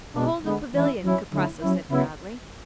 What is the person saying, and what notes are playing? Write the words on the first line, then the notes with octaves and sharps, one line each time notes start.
'Behold the Pavilion,' Kuprasso said proudly.
B2 G#3 D4
D3 G#3 B3
E3 G#3 C#4 E4
F#3 C#4 E4
D3 F#3 A3 C#4 E4
F#3 C#4 E4
C#3 F#3 B3 E4